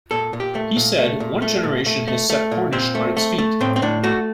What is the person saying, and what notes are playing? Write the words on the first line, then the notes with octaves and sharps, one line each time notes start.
He said, One generation has set Cornish on its feet.
A#2 A4
A#2
G4
A3
A#2
A3
A#2
A3
A#2
A3
A3
A3
A#2
A#2 C4
A3
A3
A3
A2 C4
C4
A2 D4
A3 F#4